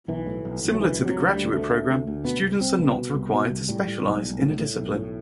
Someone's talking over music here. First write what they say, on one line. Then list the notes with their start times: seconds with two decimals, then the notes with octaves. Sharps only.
Similar to the graduate program, students are not required to specialize in a discipline.
0.08 B1 E3
0.26 A2
0.45 B1
0.63 B1
0.74 F#3
0.80 D2 E3
0.99 C3
1.05 F#3
1.17 D2
1.29 G3
1.35 D2
1.53 D2 A3
1.71 D2
1.89 D2
2.07 D2
2.24 B2 B3
2.43 C2
2.61 C2 C4
2.79 C2 B3
2.97 B2
3.15 C2
3.33 B2
3.50 C2
3.69 A2 G3
3.87 A2
4.05 B1
4.22 B1
4.41 A2
4.59 A2
4.77 B1
4.94 A2